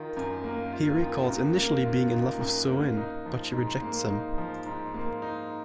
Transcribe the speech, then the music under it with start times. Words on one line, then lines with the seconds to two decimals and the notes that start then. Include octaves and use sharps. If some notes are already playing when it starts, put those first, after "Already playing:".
He recalls initially being in love with Soo-in, but she rejects him.
Already playing: D#3 F4
0.17 F#2
0.44 A#3
0.72 F4
1.01 D#3
1.29 F#2
1.57 A#3
1.84 F4
2.13 D#3
2.41 F#2
2.70 A#3
2.97 D#4
3.26 F3
3.53 G#2
3.82 A#3
4.10 D#4
4.38 F3
4.66 G#2
4.94 A#3
5.22 D#4